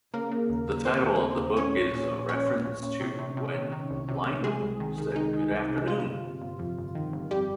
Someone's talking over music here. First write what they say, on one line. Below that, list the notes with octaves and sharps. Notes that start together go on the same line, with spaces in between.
The title of the book is a reference to when Lynam said Good afternoon.
C#3 A#3 A#4
C#3
D#2
D#2
D#2 C4 C5
D#2
D#2
D#2
A#2 C#4 C#5
A#1
A#2
A#2
A#1 C#4 C#5
A#2
A#1
A#2
C3
C3
C3
D#3
D#3
C2
C3
C3
C3 G#3 G#4
C2
D#3
D#3
D#3 D#4
D#3
C2
C3
C3 F4
G1
G1
G1
F2
G1
D#3
G1
F2 G3 G4